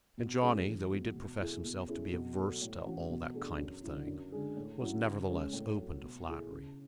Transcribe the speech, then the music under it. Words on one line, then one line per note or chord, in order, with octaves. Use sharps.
And Johnny, though he did profess himself to be averse to "all that kind of thing," was nevertheless open to flattery.
B2
G#3 C#4 G#4
E3
G#3 B3 F#4
B2
A3 E4 G#4
B2
A3 C#4 E4 G#4
B2
F#3 A3
A2
E3 A3 C#4 F#4
B2
A3 D4 G#4
F#2
D3 F#3 A3 E4
F#2
D3 G#3 D4 G#4
A2
F#3 C#4 E4
C#3
G#3 C#4
A2
F#3 A3
B2
A3 E4 G#4
C#3